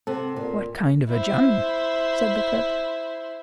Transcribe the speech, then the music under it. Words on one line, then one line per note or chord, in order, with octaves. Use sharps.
"What kind of a German?" said the cook.
C3 A4 F#5
A#2
E4 C5